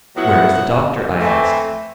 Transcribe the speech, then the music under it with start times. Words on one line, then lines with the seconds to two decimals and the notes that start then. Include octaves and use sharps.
"Where is the Doctor?" I asked.
0.16 A2 F#3 B3 E4 F#5
1.19 E3 A3 C4